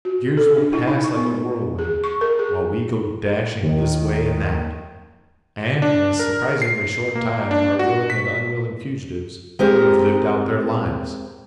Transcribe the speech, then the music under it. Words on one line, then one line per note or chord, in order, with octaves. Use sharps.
The years will pass like a whirlwind--while we go dashing this way and that, and in a surprisingly short time our willing and unwilling fugitives will have lived out their lives.
F#4
A4
D4
E4
D#4
C#6
B3
G#4
C#6
A#4
G#4
D#2 D#3
D4
A#4
C7
A#3
D4
F#4
B6
G#3 C4 G4 A#4